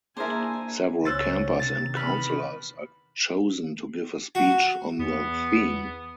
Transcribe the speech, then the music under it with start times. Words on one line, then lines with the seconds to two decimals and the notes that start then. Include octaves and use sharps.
Several campers and counselors are chosen to give a speech on the theme.
0.17 A#3 D4 E4 G#4 A#4 C5 G#5
1.05 C#2 C#4 C5 E6 F#6 A6
1.60 C3 D#3 A6
1.97 E2 B4 B5 F6
4.35 F#4
4.98 E2 B3